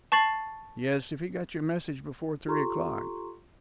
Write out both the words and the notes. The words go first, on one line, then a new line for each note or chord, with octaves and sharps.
"Yes, if he got your message before three o'clock."
A5 C#6 A6 C7 F#7
F4 G4 A4 A#5 C6 C#6